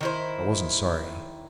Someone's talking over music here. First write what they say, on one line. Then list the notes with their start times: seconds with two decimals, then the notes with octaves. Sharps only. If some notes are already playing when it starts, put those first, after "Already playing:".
I wasn't sorry.
0.01 D#3 E4 C5